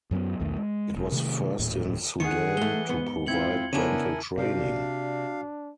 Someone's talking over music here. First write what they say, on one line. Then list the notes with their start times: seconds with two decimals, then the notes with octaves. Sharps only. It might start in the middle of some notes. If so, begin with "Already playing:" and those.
It was the first in Sudan to provide dental training.
0.11 F#2 F#3 A#3 B3
0.40 B1 E2 D#3 A3
0.57 G#3
0.96 E1
1.12 C3 D#3 A3
1.59 D#1 A2
2.20 D#3 G#4 F#5 C#7
2.57 E3 G#3 A3 G7
2.89 G#2 B3
3.26 C4 E4 F4 G#6 C#7 F#7
3.73 C#3 B3 D4 E4 A#4 G#5 A5 D#7
4.38 C3 D4 F#4 D5 F5